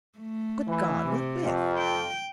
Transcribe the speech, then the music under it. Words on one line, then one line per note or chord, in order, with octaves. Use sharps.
'Good God! what with?'
A3
E3
C3
F2 F4
G5